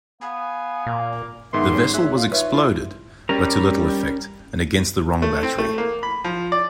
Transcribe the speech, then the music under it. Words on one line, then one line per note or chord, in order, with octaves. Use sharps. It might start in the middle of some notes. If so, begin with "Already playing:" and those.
The vessel was exploded, but to little effect and against the wrong battery.
B3 F5 G#5
A#2 A#3
G#2 D#3 B3 E5 C6
G3 C#4 C#5
C#4 E4 G#4 E5 F#6
F4 F5
D#4 B4 C#5 E5
E4 F4
G3 C#4 A#4
A3
C4
A3
A#3
B5
F3
D5